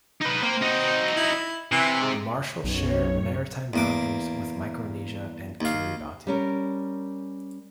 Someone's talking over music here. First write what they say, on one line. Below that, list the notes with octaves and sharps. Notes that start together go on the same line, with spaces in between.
The Marshalls share maritime boundaries with Micronesia and Kiribati.
D#4 B4
A#3 C4
D#4 F#4
E4
C3 E3
G#2
B1 F#2 C#5
E2 A#3 D6
D#2 F5
G3 C#4 A#4